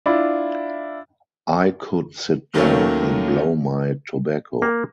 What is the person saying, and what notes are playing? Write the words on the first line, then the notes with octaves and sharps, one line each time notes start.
I could sit down and blow my tobacco.
D4 E4 F4
D#2 D#3 F#3 A3 A#3 C#4
A#3